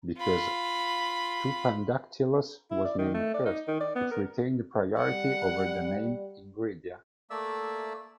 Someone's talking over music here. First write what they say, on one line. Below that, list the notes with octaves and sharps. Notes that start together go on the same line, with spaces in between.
Because "Tupandactylus" was named first, it retained priority over the name "Ingridia".
F4 B5
E4
D5
D#3
A3
D5
D#4
D#3
D5
B3
A#4
G3 F#5
A3 A#3 D5 E5 E6